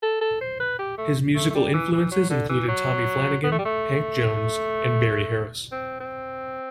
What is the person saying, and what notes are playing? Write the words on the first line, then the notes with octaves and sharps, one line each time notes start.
His musical influences included Tommy Flanagan, Hank Jones, and Barry Harris.
A4
A4
C5
B4
G4
A3
A3
A3
G3
E3
E3
F#3
D3
E3
F#3
B3
A3
G3
A3
C4
C4